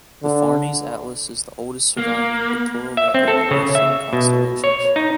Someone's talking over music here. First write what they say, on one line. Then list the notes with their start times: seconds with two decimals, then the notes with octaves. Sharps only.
The Farnese Atlas is the oldest surviving pictorial record of Western constellations.
0.23 D3
1.98 A#3
2.97 E5
3.14 C4
3.28 A4
3.51 C#3
3.75 E5
4.13 B2
4.64 C#5
4.96 D#4